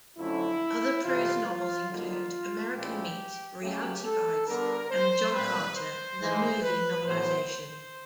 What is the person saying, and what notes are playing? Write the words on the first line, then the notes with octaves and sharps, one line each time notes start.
Other prose novels include "American Meat", "Reality Bites", and "John Carter: The Movie Novelization".
F2 D3 F#3 A3 C#4 E4
F2 C3 E3 G3 F4
F4
D3 G3 A#3 D#4 F4
A#2 F3 G#3 C#4 E4 G4
C#3 F#3 A3 G4
A4
D3 G3 B3 D4 A#4
C5
A#2 G3 C4 B4
C5
G#2 E3 G#3
B4
A2 F#3 B3 E4 C5
C5